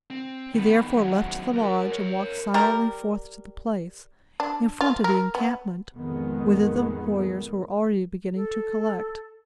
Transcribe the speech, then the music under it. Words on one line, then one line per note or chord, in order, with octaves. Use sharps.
He, therefore, left the lodge and walked silently forth to the place, in front of the encampment, whither the warriors were already beginning to collect.
C4
D#3 B3
D#2 F#3
F#4 A#4
A#4 C#5
G3 A#4
D4
F4
A#4
B3
A1 F2 D#3 G#3 B3
A4